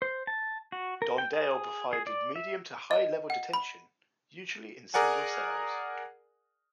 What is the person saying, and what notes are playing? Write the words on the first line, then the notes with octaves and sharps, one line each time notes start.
Don Dale provided medium to high level detention, usually in single cells.
C5
A5
F#4
A#4
G5
G#4
G#4
D5
E5
D#5
F#5
B5
G#4 A#4 D5 F#5 G#5